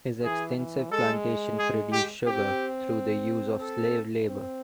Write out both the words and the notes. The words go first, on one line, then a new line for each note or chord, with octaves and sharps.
His extensive plantation produced sugar through the use of slave labor.
E3 G#4
E3
G#3 A4
G#4
G4
C4 G4
A4
C4